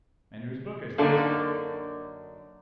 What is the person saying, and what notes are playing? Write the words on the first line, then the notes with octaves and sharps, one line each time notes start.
"And whose book is this?"
F#2 D3 A#3 D4 D#4 A4